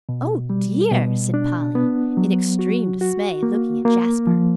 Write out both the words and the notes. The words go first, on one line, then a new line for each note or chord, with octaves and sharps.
"Oh dear!" said Polly, in extreme dismay, looking at Jasper.
B2
G3
B2
D4
B3
F#3
F#4
F#4
A#3
A#3
F3